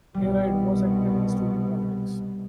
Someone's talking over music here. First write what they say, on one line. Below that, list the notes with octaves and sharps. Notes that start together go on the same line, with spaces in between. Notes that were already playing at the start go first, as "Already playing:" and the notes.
Hareide was active in student politics.
C2 B2 G3